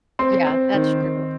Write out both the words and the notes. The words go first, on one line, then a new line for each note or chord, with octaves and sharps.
Yeah, that's true.
C4 C6
C4
D#3
D#3